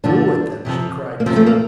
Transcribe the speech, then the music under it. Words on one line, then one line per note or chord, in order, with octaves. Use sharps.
"Do with them!" she cried in scorn.
G2 D3 F3 D4
F2 C3 F3
A#3
E2 C3 F3 C4
A3
A#3